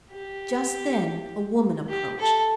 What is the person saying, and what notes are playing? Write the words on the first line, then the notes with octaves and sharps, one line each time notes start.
Just then a woman approached.
G4
G4
A4